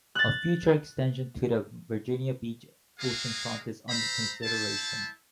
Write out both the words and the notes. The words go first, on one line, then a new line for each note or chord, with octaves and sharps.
A future extension to the Virginia Beach oceanfront is under consideration.
F#6 A6
G#3 A#3 F#4 G#4 F5
C5 E5 A#5 B5
E4 C5 A5